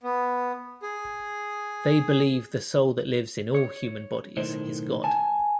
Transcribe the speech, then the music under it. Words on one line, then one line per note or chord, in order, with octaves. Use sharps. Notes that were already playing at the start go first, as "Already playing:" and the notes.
They believe the soul that lives in all human bodies is God.
B3
G#4
C#5
B1 A2 D#3 C5
G#5 A5